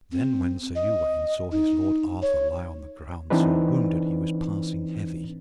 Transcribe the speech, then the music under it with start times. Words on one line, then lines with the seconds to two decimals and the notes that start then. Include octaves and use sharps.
Then when Sir Uwaine saw his lord Arthur lie on the ground sore wounded, he was passing heavy.
0.12 C4
0.75 D#5
1.52 D#4
2.22 C#5
3.30 E3 C4 D4 D#4 B4